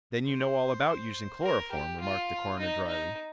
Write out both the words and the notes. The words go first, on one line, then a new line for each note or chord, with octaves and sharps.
"Then you know all about using chloroform?" remarked the coroner dryly.
C5
A#4
G4
F4
D#4
D#4